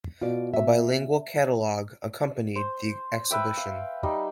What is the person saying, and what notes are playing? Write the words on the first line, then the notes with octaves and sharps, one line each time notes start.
A bilingual catalogue accompanied the exhibition.
B2 F4 D5
E5
C5
B4 E5 G5
F5
G3 D#4